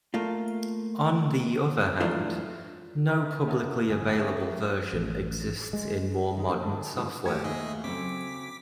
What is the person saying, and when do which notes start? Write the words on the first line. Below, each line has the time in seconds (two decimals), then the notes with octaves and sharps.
On the other hand, no publicly available version exists in more modern software.
0.14 A3 A#3 F4
2.00 E3 F#3 G#3 A3 D4 F4
3.09 D#4 E4 A#4 B4 D#5
3.47 C#3 B3 E4 A4 A#4
3.90 G1 G#4
4.19 A3 A#3 C#4 G4 G#4
4.93 A1
5.73 G#3
6.37 D#3 G3 G#3 B3 D#4
6.49 A#3 G4 C5 C#5
6.62 D#3 C4 D4 A4 D#5
6.77 D3 G#4 A4
6.95 G2 D3 E3 F3 G#3
7.26 A3 F#4 G4 G#6
7.44 D#2 D#4 G#4 D#5 E5
7.84 C#3 F#3 C4 A4 D6 B6